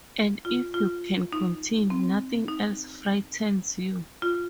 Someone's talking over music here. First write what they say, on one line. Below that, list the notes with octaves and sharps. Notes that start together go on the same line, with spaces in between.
And if you can continue, nothing else frightens you.
F4
F4
D#4
C4
D#4
F4